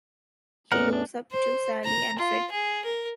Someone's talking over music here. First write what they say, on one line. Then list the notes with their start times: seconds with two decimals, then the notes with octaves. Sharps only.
He looks up to Sally and Fred.
0.72 A1 E2 A#4 F#5
0.93 D4
1.32 C5
1.85 A#5
2.18 F4
2.51 G#4
2.85 A#4